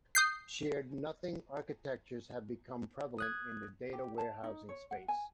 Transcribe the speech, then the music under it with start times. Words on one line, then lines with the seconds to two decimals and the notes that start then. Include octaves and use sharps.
Shared nothing architectures have become prevalent in the data warehousing space.
0.15 D#6 G6 C7
3.19 D#6 F#6 G#6
3.93 G4
4.18 A5
4.44 D#4
4.69 C#5
4.91 F#5
5.08 G#5